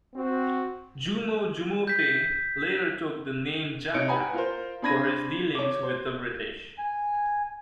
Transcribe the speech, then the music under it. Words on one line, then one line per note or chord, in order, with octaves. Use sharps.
Jumo Jumofe later took the name "Jaja" for his dealings with the British.
C4 F#4
G6 B6
C3 D#4 C#5 C#7 D7
G4 B4 F#5 G#5 A#5 B5
F4 A#4 C5
C4 D4 B5 G#6 A#6 D#7
C#5 D6
C5
G#5